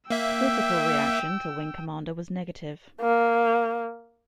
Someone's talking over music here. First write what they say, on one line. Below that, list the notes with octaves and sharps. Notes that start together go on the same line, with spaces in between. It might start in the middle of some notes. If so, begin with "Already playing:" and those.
Critical reaction to "Wing Commander" was negative.
A#3 E5 G5 E6
A#3